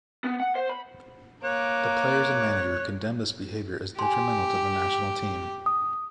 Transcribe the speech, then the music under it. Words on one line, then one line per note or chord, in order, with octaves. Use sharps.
The players and manager condemned this behavior as detrimental to the national team.
B3
F#5
C5
B5
A#3 C#5 D6 F#6
G4 G#5 C6
D#6